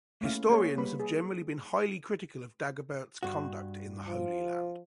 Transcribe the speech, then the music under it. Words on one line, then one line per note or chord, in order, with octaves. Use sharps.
Historians have generally been highly critical of Dagobert's conduct in the Holy Land.
A3 A#3 C#4 E4 F5
A#3 G#4 C#5 G#5
G3 A#3 B3 A#4 B4 B5
G#4
G2 F#4
F3